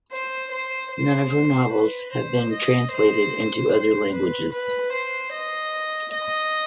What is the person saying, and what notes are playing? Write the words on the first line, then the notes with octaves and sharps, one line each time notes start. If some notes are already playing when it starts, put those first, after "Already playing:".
None of her novels have been translated into other languages.
C5
C5
C5
B4
C5
D#5
C5
C5
B4
B4
C5
D#5
D#5